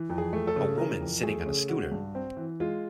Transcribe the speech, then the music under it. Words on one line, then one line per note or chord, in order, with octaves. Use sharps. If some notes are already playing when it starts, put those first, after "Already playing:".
A woman sitting on a scooter.
Already playing: E3
F2
G#4
A3
A4
C#3
E3 A#4
F2
A3 G#4
C#3
G#3 F#4
G2
C4
E3
G#3 F4